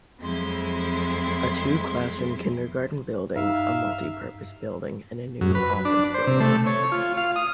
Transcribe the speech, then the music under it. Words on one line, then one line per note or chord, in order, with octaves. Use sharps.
A two classroom kindergarten building, a multi-purpose building, and a new office building.
F2 F3 F#3 G#3 E4 C6
G2 D#4 E5 F5
F#2
B4
D4
C5
C3
A3
C#5
F4
F5
D#6